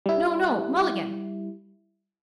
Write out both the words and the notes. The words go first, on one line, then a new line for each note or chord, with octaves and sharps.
No, no, Mulligan!
G3 E4